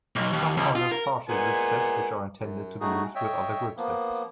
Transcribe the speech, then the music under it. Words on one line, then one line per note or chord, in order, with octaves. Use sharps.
Some are just partial groupsets which are intended to be used with other groupsets.
B1
D#2
C#2
F4
A#4
A#2 G#3 B3 G#5
F#2
A2 A3 D#4 F#4 G#4
C#5 D#5 E5 G5
F3 A#3 B3